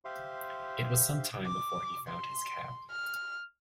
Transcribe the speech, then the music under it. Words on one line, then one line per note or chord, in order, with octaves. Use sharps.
It was some time before he found his cap.
G4 C5 E5 F5 C6
D6
C6
F6